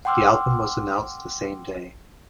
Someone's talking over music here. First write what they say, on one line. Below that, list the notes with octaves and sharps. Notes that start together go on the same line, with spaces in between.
The album was announced the same day.
F#5 G5 C6 D6 E6 F6